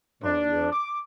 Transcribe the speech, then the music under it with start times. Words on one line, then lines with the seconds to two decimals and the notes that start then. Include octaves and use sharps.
Oh, yep.
0.24 D4
0.73 D6